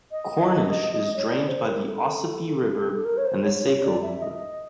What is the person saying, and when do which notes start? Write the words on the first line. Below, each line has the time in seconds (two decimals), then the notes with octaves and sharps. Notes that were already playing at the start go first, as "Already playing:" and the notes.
Cornish is drained by the Ossipee River and the Saco River.
0.11 D#5
1.17 C#5
1.28 D5
1.48 C5
1.67 A#4
1.87 A4
2.93 A4
3.05 A#4
3.17 C#5
3.25 C5
3.44 C#5
3.64 C#5
3.83 D5
4.02 E5
4.22 D#5